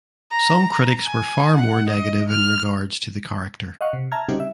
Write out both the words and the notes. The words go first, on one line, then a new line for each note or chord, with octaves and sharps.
Some critics were far more negative in regards to the character.
A#5
A#5
G#5
F#5
D#5
F6
D#5 F5 F#5 C#6
C3
E5 A5 A#5 F6 G#6
C#3 G3 C4 D#4 F#4 G4
E5